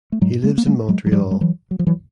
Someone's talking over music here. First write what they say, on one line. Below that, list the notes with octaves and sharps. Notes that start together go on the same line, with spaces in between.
He lives in Montreal.
A3
G#2 F#3 G#3
G#3 A#3
A#3
G3 A3
F#3 G#3
F#3
G#2 F3 G3
G3
E3 F#3
F#3
F3
E3 F#3